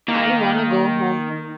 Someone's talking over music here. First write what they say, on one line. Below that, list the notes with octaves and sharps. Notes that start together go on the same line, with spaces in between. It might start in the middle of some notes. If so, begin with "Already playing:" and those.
I wanna go home.
D#3 A#3